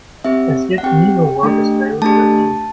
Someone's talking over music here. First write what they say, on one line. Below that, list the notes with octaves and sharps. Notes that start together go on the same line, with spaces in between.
As yet neither work is available in English.
C4 G4 E5
F#5
C4 G4 G5
A3 D4 G4
A3 D4 G4 A5